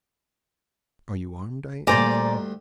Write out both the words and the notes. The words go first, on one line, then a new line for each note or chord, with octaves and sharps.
"Are you armed?" I asked.
D2 G2 A#2 C5 D5 G#5 A#5